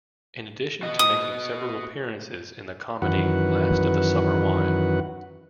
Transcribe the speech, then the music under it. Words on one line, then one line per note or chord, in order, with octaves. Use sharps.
In addition to making several appearances in the comedy Last of the Summer Wine.
F#4 D#5
D#6
F#2 D#3 E3 F#4 B4 F#5